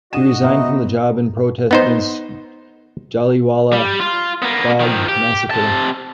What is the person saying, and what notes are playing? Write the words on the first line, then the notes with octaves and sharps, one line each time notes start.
He resigned from the job in protest against Jallianwala Bagh massacre.
D4 F#4 D#5 D#7 E7
B2 D#4 B4 C5 E5
B3 D#4 C5
G3
F4
A#3 B3
D#3 F3
G4
C3 A5